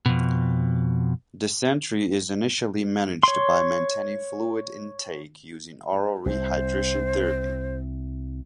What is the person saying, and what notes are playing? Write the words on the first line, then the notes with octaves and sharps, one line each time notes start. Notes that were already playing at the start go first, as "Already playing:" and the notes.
Dysentery is initially managed by maintaining fluid intake using oral rehydration therapy.
F2 B2
C#5 C6
C2 C5